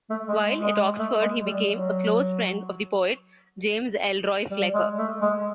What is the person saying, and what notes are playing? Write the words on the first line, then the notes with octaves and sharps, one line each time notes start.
While at Oxford he became a close friend of the poet James Elroy Flecker.
A3
G#3
G#3
A3
G#3
G3
F#3
G3
G#3
A3
G#3